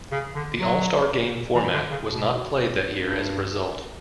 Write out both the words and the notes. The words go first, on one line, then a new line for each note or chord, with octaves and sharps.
The all-star game format was not played that year as a result.
C#3
D3
F#3
E3
D3
C#3
B2
G2